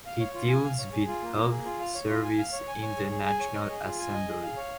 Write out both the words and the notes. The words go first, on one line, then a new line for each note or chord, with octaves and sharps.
He deals with health service in the National Assembly.
F5
C#5
F4
G#5
F5
C#5
G#4
F4
A#3
A#3
G#4
F4
F5
C#5
F4
G#5
F5
C#5
G#5
C#5
G#4
G#4
G#5
C#5
D#5
G#4
F4
G#5
D#5
G#4
F5
C#5